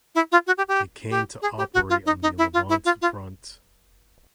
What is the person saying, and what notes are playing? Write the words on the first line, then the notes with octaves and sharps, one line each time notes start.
It came to operate on the Levante front.
E4
F4
F#4
G4
G4
G4
G#4
G4
F#4
F4
D#4
D#4
E4
F4
E4
F4
F4